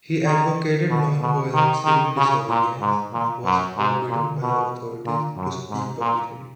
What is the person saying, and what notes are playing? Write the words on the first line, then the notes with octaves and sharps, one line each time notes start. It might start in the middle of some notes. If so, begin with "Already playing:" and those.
He advocated non-violent civil disobedience and was forbidden by the authorities to speak publicly.
D#3
B2
B2
D#3
D#3
C#3
A#2
G#2
A#2
F#2
G#2
A#2
B2
A#2
F#2
G#2
A#2